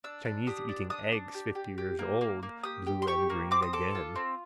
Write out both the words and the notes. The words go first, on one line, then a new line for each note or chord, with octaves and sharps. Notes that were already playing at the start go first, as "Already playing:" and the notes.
Chinese eating eggs fifty years old, blue and green again.
D4 E6
D4
G4 D#6
D4
D4 D#6
D4
G4
G4
G4
A#3
A#3
A#3
G4 D#6
G4
C6
G4 C#6
A#3
C4 D6
D#6
A4 D6
F4
C4